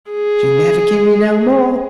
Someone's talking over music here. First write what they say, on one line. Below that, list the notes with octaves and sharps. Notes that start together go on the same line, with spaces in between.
"She never give me no more."
G#4